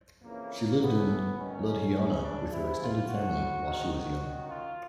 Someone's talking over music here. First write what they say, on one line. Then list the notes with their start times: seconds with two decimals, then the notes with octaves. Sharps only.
She lived in Ludhiana with her extended family while she was young.
0.23 F2 C#3 E3 A#3
0.80 A2 E3 B3
1.36 F#2 D#3 C#4
1.94 E2 C#3 E3
2.21 D4
2.50 G#2 E3 E4
2.79 F4
3.07 A2 E3 F#4
3.64 G#2 D#3
3.92 F#4
4.21 F#2 D#3
4.49 F4